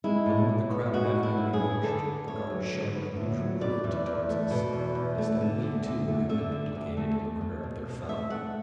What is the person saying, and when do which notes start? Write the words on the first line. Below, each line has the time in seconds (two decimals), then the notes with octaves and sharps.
Along the crowded avenue we marched, the guards showing unusual cruelty toward us, as though we, too, had been implicated in the murder of their fellow.
0.04 G#3 E4
0.26 A2
0.49 A2
0.71 B3
0.94 G#3 F#4
1.15 A2
1.23 E4
1.38 A2
1.53 G#4
1.60 B3
1.83 D3 A4
2.05 B3
2.28 D2 C#5
2.50 F#3
2.73 D3
2.94 B3
3.17 D2
3.39 F#3
3.61 B2 D5
3.84 E2
4.06 E2
4.29 A3
4.51 B2
4.73 E2
4.95 E2
5.18 A3
5.41 D3
5.62 D2
5.86 D2
6.08 A3
6.29 D3 E5
6.52 D2
6.75 D2
6.97 A3
7.19 A3
7.41 A3
7.63 B2
7.85 B2
8.09 A3 E5
8.30 A3 F#5